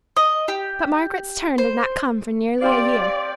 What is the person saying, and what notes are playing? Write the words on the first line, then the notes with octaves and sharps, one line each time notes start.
But Margaret's turn did not come for nearly a year.
D#5
G4
C5
C4 G4 D5 F5